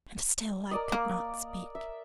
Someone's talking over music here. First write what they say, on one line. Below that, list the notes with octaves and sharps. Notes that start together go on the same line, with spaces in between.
And still I could not speak.
A#4 D5 D#5
A#3
E5